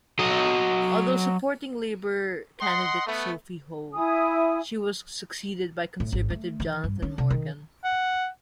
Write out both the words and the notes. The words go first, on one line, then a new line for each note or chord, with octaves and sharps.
Although supporting Labour candidate Sophie Howe, she was succeeded by Conservative Jonathan Morgan.
F#3 D#5
D#5 F#5 C6
A3 B3
E4 G#5 D#6
A2
G#1
A3
E3
G2
C#4
C3
D#3
F#5